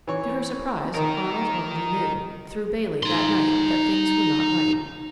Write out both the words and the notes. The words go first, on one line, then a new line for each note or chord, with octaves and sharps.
To her surprise, Arnold already knew, through Bailey that night, that things were not right.
E3 C#5
D#3 D#4 A#4
D#4 C6